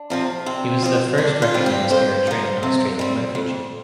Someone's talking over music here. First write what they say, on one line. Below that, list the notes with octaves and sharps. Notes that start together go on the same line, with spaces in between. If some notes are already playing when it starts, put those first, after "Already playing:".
He was the first recognized Eritrean Australian refugee.
Already playing: D4
C3 F3 C4
C3 C4
F3 C4
G2 D4
F4
G3 C4
G4
F2 C5
F3 A#3
C3
G3 C4
F2